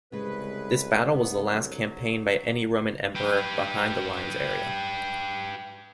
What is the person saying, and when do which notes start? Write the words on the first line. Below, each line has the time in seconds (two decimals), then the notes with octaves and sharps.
This battle was the last campaign by any Roman Emperor behind the Limes area.
0.12 C2 C#3 G#3 B4
1.13 G#2 B3
1.54 D3 F#3
3.15 G4 B4